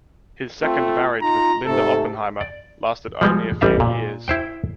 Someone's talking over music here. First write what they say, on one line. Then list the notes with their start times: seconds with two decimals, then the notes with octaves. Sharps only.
His second marriage with Linda Oppenheimer lasted only a few years.
0.63 A3 C4 F4
1.22 D#4 F4 A#5
1.66 G#2 C3 A3 A4
2.41 D5
3.21 F3 G3 G#3
3.61 A1 G3 E5 F5
3.80 A#2
4.28 E4 C5 G5